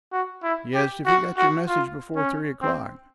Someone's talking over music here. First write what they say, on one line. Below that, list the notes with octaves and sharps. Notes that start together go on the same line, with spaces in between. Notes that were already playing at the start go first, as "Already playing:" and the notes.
"Yes, if he got your message before three o'clock."
F#4
E4
G4
F#4
F#4
F4
C#4
C4